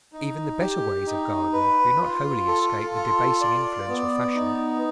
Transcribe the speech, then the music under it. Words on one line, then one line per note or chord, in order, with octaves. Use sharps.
Even the better ways of gardening do not wholly escape the debasing influence of fashion.
D#4
G4
D#4
B4
F4
A4
F4
D5
B3
D#4